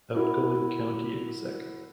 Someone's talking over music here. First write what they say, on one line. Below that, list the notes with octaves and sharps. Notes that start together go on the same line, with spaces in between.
Outgoing County Exec.
E4 F#4 A#4